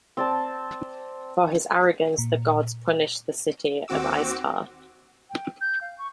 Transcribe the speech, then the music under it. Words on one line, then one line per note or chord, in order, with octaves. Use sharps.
For his arrogance, the gods punished the city of Istar.
C4 D5 A5
A#2
D#2 C4 F#4 D6 E6
G5
G6
F5
C#6